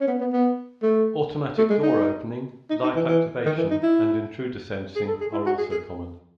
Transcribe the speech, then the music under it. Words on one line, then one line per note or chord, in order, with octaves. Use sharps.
Automatic door opening, light activation and intruder sensing are also common.
C#4
B3
B3
B3
A3
A3
G#3
D#4
D#4
D#4
E3
E3
D#3
E3
D#4
E4
G#4
A4
G#4
E4
F#4
G#4
G#4